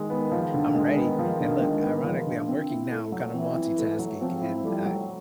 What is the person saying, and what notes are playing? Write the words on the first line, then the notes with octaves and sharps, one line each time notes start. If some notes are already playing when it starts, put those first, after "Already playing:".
"I'm ready." And look, ironically, I'm working now. I'm kinda multitasking and, uh,
Already playing: D#3 G#3
B3
F3
D3
G#3
B3
F3
D3
G#3
B3
F3
D3
C4
E4
A3
F#3
E3 C4
E4
A3
F#3
F3 C4
E4
F3 G3 A3
F#3